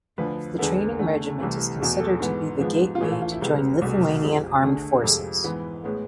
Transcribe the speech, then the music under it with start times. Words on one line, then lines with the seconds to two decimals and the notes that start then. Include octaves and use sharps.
The Training Regiment is considered to be the gateway to join Lithuanian Armed Forces.
0.18 D2 D3 F3 B4
0.59 E2 D3 G#3 B3 A4
0.99 E2 D3 A3
1.40 C2 C3 E3 A3
1.80 E2 B2 A3
2.00 A4
2.20 G#2 E3 B3
2.60 G#2 F3 G#3 B3
2.95 F4
3.00 A2 E3 A3 G#4
3.12 F4
3.22 F4
3.32 E4
3.41 C2 C3 G#3 B3
3.82 C2 B2 A3
4.22 F2 C3 G#3
4.63 D2 D3 A3 G#4
5.03 F2 C3 F3 G#3 A4
5.44 G#2 E3 B3 B4
5.84 A2 G#3 B3